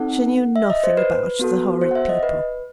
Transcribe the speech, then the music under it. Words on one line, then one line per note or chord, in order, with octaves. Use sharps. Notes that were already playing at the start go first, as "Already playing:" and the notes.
She knew nothing about the horrid people.
Already playing: C4 D#4 A4 F#5
E5
D#5
C5
B4
B3 F#4 A4
C5
F#5
E5
D#5
B4